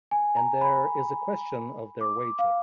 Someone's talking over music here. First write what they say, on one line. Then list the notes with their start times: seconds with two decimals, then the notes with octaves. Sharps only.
And there is a question of their wages.
0.11 G#5
0.36 A#5
0.61 B5
2.01 D6
2.39 F5